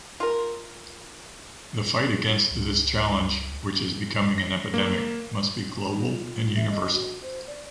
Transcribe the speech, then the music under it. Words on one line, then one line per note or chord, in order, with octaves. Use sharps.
The fight against this challenge, which is becoming an epidemic, must be global and universal.
F4 A#4
C#2
A#6
A#3
D#4
F4
E5
D#5
F#4
C5
D5